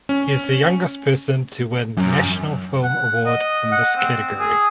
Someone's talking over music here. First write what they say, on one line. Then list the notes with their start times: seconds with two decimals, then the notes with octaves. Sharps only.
He is the youngest person to win National Film Award in this category.
0.09 C#4
1.97 F#2
2.83 F#5
3.26 D#5
3.72 F#5
3.96 C4
4.39 G#4